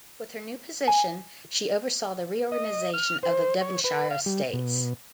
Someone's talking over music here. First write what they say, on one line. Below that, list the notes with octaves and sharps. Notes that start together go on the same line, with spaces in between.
With her new position, she oversaw the reorganisation of the Devonshire estates.
G#5
D#5
F6
C5
C#5
B4
F5
G3
B2